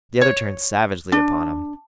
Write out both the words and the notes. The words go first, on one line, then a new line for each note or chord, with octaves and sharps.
The other turned savagely upon him.
C#5
D4